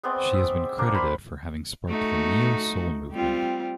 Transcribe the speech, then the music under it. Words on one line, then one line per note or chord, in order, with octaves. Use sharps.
She has been credited for having sparked the neo-soul movement.
G#3 B3 C4 D5
E5 D6
A#3 D4 G4
C5 F5 B5
A3 D#4 F#4
G3 C4 F4